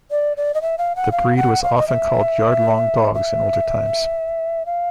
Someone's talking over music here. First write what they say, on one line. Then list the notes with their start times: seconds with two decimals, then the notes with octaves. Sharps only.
The breed was often called "yard-long dogs" in older times.
0.11 D5
0.37 D5
0.54 D#5
0.62 E5
0.78 F5
0.96 F#5
1.12 F5
1.37 F#5
1.63 F5
1.78 D#5
1.88 E5
3.14 E5
4.66 F5